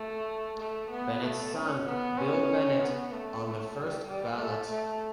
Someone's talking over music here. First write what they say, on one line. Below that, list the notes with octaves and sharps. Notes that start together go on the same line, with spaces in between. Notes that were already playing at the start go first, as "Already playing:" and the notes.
Bennett's son, Bill Bennett, on the first ballot.
Already playing: A3
A3
B3
A3
C#4
B3
C#4
B3
A3
G3
G3
A3
A3